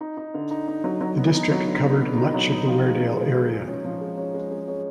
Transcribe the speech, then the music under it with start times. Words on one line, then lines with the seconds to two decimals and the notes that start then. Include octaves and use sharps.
The district covered much of the Weardale area.
0.01 D#4
0.17 D#4
0.34 D3
0.51 D#4
0.68 D#4
0.84 F#3
1.01 F#3
1.17 B3
1.34 D#4
1.51 F#3
1.67 D3
1.85 B3
2.01 B3
2.17 D#4
2.34 F#3
2.51 D#4
2.67 F3
2.84 G#3
3.01 F3
3.18 G#3
3.34 G#3
3.51 G#3
3.67 C#4
3.85 F3
4.01 G#3
4.17 C#4
4.34 G#3
4.51 G#3
4.68 C#4